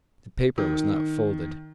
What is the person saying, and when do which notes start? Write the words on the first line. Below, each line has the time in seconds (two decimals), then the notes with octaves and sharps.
The paper was not folded.
0.58 D#3